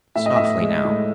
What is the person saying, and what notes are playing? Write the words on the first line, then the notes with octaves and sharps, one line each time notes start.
Softly now.
A2 E5
D#5
A2 E5
G#3
A2